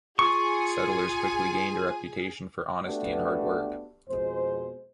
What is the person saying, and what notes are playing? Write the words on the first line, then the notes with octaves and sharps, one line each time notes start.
The settlers quickly gained a reputation for honesty and hard work.
F4 G#4 G#5 C#6
A3 B3 D4 F#4 G4 B4
F2 B2 G#3 C5